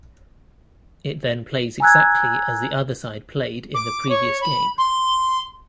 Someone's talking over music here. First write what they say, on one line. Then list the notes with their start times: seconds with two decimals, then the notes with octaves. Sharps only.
It then plays exactly as the other side played in the previous game.
1.80 G#5 A#5 E6 F#6 G#6
3.74 D6
4.09 C#5
4.41 B5
4.78 C6